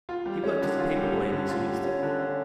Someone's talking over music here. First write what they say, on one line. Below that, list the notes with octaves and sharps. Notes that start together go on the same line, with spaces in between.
He worked as a paperboy in his youth.
F4
G3
C#4
D3
F4
G3
C#4
D3
F4
G3
C#4
D3
C#4